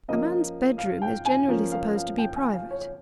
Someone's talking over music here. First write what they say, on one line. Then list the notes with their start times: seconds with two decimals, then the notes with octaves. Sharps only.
"A man's bedroom is generally supposed to be private."
0.08 F3 A#3 C#4 D#5
0.78 F5
1.02 G5
1.26 G#5
1.48 F3 A#3 C#4
1.72 F5
1.96 F5
2.18 G5
2.36 G#5
2.54 F5
2.71 C#5
2.81 C#5